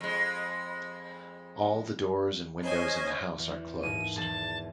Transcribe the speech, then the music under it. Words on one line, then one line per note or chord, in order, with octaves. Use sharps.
All the doors and windows in the house are closed.
F2 G#3
C#4 C5 D#5 G#5 G#6
E2
D#2 G#2 D#7
E1 E2 G#4 A5